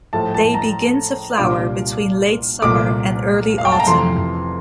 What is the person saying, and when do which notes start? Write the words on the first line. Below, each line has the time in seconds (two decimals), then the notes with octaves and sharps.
They begin to flower between late summer and early autumn.
0.13 A2 F3 A3 A5
0.34 A5
0.54 A#5
1.37 C2 A#2 G3 D4 F4 D6
2.62 C2 A#2 A3 D6
3.58 F5
3.65 G5
3.72 A5
3.80 A#5
3.86 F2 C3 E3 A3 C6